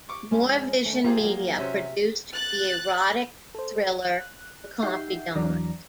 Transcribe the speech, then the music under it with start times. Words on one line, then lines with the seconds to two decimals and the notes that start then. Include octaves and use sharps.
Moore Vision Media produced the erotic thriller "The Confidant".
0.09 C#6 D6
0.31 F2 G#3 C#4
0.85 D#3 A3 C#4
1.05 A#3 C4 F4 G4 G#4
1.21 F#3 A#3
1.59 C3 F#3 C#4 C5 E5
2.33 F#6 A6
3.55 A4 C5
4.03 F#6
4.83 D#4 G4 E5 F#5 G6 C7
5.36 E2 E3 F#3 D4 D5 A#5